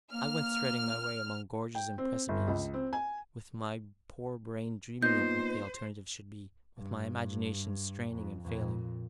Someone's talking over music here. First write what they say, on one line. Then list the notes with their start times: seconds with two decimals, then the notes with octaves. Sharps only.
I went threading my way among gorges and precipices, with my poor brain dreaming of what the alternative should be, with my imagination straining and failing.
0.13 A#3 F6
1.75 G5
1.98 C4
2.29 G1
2.48 C#2
2.74 C4
2.93 G#5
5.02 A#2 B3 D#4 C5 G6
6.77 G2
8.10 F2
8.40 F2 A#2